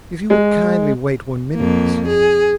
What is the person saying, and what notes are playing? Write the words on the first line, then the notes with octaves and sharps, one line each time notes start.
'If you will kindly wait one minute, Miss Yule.
G#3
F2 A#3
G#4